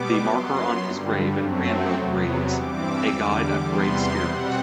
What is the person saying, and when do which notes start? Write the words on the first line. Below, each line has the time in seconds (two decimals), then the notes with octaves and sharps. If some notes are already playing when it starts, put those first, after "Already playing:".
The marker on his grave in Cranbrook reads "A guide of great spirit".
Already playing: B2 G3 B3 D6
0.25 F#2 F#3 B3 C6
0.82 G2 D3 G3
1.38 F#2 F#3 A3 C4
1.95 E2 C3 F#3 B3
2.52 G2 E3 G3 C4 D6
2.81 E6
3.08 E2 D3 G3 D6
3.65 E2 C3 G3 B3 C6
4.21 B2 G3 C4 F#5